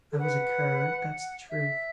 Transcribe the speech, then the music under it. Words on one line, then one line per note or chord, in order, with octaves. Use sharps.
I was a cur, that's the truth....
A4
B4 F#5
E5